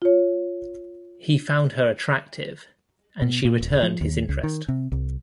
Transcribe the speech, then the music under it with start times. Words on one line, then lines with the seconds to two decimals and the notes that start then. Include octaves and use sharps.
He found her attractive, and she returned his interest.
0.02 F4 C#5
3.22 B2
3.45 A#2
3.60 D#1
3.82 F3
4.01 D#2
4.29 C#2
4.43 D#3
4.68 C3
4.92 C2